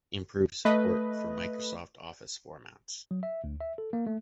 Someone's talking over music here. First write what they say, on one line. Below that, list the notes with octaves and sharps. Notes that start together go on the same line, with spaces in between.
Improved support for Microsoft Office formats.
A3 B4 D#5
F#3
E5
D2
E5
A4
A#3
A3